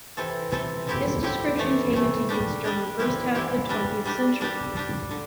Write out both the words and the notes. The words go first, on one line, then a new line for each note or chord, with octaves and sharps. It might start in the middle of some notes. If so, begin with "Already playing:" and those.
This description came into use during the first half of the twentieth century.
C3 E3 C4 A4
C3 E3 C4 A4
D3 C4 E4 G4
D3 C4 E4 G4
C3 E3 A3
C3 E3 A3
G3 D4 G4
G3 D4 G4
E3 C4 E4 G4
E3 C4 E4 G4
G3 D4 G4
G3 D4 G4
G3 D4 G4
G3 D4 G4
D3